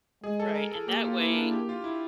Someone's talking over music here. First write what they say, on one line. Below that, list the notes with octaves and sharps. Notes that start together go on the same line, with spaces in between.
Right, and that way,
G#3 G#4
A4
A#4
A4
A#3 G4
F4
E4
D4
G4
F4
E4